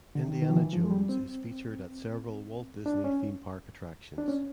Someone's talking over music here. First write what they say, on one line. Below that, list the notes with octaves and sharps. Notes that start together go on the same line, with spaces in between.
Indiana Jones is featured at several Walt Disney theme park attractions.
D3
D#3
D#3
F3
E3
F3
G#3
G3
C4
D4
C#4
D4
C#4